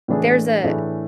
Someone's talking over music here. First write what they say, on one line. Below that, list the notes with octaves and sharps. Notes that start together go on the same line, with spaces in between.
there's a
A2 E3 A3 D4 G#4
A2 E3 A3 D4 G#4